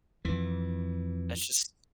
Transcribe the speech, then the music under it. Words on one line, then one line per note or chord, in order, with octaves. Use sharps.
that's just
F2 E3